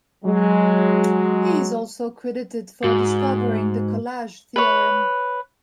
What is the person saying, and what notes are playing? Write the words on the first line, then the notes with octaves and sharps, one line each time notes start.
He is also credited for discovering the Collage theorem.
F#3 G#3
G#2 F#4
B4 C#5